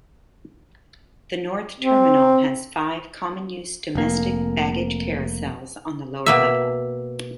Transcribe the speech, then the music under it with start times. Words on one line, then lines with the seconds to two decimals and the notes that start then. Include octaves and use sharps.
The North Terminal has five common-use domestic baggage carousels on the lower level.
1.80 C4
3.95 F1 A#3
6.26 B2 A#3 E5